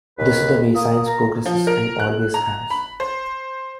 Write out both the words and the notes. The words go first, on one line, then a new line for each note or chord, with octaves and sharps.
That is the way science progresses and always has.
D#2 B4
A#3 D#6
A#5
F3
A#4
F#6
A#5
B5
C5